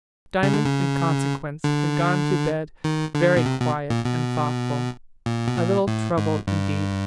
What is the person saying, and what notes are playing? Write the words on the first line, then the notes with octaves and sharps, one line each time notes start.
Diamond in consequence had gone to bed very quiet and thoughtful--a little troubled indeed.
C#3
D3
C#3
D3
D#3
D3
B2
C3
B2
A#2
B2
A#2
B2
A#2
A2
G#2
G2